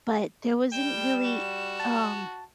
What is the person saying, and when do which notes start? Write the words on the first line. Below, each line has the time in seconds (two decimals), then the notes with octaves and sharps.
but there wasn't really, um
0.72 G3 G5 E7
1.24 F#4
1.80 A5